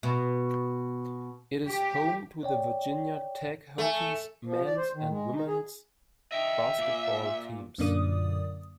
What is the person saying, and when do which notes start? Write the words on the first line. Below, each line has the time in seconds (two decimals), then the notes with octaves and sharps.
It is home to the Virginia Tech Hokies men's and women's basketball teams.
0.03 B2
1.66 G4
2.43 C#5 D5 G5
3.78 A3 A4 G#5
4.46 F3
4.66 D5
4.77 C5
4.95 D#3
5.10 G#3
5.34 D#4
5.48 G#4
6.32 D#5 E5 G5
6.78 A#2 D5
7.78 F#2 A#2 D3 A#3 D5 D#6